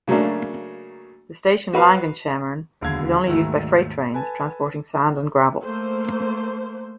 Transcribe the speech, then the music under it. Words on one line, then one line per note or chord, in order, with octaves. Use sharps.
The station Langenschemmern is only used by freight trains, transporting sand and gravel.
C#3 F#3 A3 A#3 D4
F#4 B4 F5 A#5
E1 D#2 D3 F#3 F5 G#6
D#2 G#2 D#3 F#3 A3 E6
A4 B4 G#5 A5
A3 A#3 C5